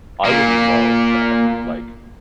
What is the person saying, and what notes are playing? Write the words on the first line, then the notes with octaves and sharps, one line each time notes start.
I would love that, like
A#2 A#3